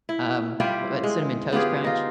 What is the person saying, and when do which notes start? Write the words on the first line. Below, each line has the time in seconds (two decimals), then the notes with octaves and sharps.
um, what Cinnamon Toast Crunch.
0.09 E4
0.60 G3 E4 F4 G4
1.03 G#3
1.52 B3 F4 G4 G#4
1.84 D#4 F4